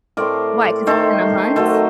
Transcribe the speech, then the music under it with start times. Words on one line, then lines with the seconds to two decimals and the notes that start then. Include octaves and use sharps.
Why, 'cause it's gonna hunt?
0.17 A2 A3 C4 A#4 D5
0.87 D#3 A3 C4 A4 C5
1.56 D#3 F#3 A3 A4 C5